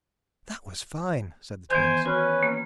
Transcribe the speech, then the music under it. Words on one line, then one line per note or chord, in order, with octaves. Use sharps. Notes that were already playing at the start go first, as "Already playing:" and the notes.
"That was fine," said the Twins.
D#3 E3 B3 C5 G#5 G6
C#4 F#4 B4 F6
A#3